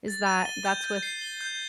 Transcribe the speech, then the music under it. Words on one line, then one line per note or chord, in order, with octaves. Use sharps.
is that that's with,
A6
D#7
G7
G6
G6
C7
G7
G6